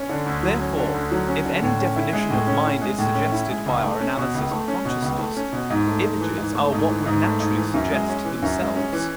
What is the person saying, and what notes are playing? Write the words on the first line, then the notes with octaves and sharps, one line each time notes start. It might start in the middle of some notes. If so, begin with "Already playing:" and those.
Therefore, if any definition of mind is suggested by our analysis of consciousness, images are what would naturally suggest themselves.
Already playing: C#4
D3
D2
F#3
C#4
D3
D2
F#3
C#4
D3
A2
C#4
E4
G#3
A2
C#4
E4
G#3
A2
C#4
E4
G#3
C#2
A3
C#4
B2
C#2
A3
C#4
B2
C#2
A3
C#4
B2
G#2
A3
G#2
E3
G#2
A3
G#2
E3
G#2
A3
G#2
E3
F#2
G#3
C#4
E3
F#2
G#3
C#4
E3